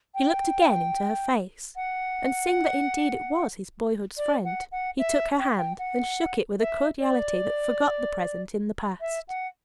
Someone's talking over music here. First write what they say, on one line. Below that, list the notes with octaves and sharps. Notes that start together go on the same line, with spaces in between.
He looked again into her face, and seeing that indeed it was his boyhood's friend, he took her hand, and shook it with a cordiality that forgot the present in the past.
G5
F#5
D5
F#5
F#5
E5
G5
G5
F#5
E5
D5
E5
F#5